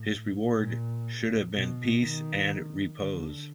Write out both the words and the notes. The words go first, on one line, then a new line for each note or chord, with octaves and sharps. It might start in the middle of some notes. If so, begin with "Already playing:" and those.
His reward should have been peace and repose.
Already playing: A2
A#2
B2
D#3
D3